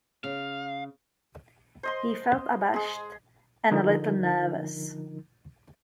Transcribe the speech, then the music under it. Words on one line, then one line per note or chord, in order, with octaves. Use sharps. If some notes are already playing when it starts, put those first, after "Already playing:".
He felt abashed and a little nervous.
C#3 F5
C5 D#5 C6
G#3 G#4
D3 F3 D#4 A#4